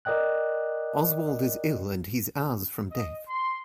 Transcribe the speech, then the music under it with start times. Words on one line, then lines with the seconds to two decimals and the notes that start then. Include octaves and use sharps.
Oswald is ill and he's hours from death.
0.05 A#4 D5 D#5 G5 F#6
2.91 D#5
3.27 C6